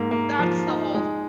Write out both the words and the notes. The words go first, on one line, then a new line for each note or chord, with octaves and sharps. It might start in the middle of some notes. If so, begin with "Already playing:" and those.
that's the whole th
Already playing: G#2 A#3
A#3
F3
D#4
G#3